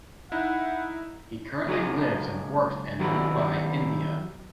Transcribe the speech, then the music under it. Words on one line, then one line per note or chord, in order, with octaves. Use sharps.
He currently lives and works in Mumbai, India.
D#4 E4 F#5
C#2 F#3 G#4 D#5
D#3 F#3 G3 B3 C#4 E4